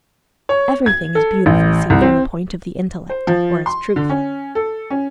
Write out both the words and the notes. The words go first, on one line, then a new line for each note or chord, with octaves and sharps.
Every thing is beautiful seen from the point of the intellect, or as truth.
C#5
G#6
A4
A1
C2
C4
C5
F3
C6
D3
C#4
A4
C#4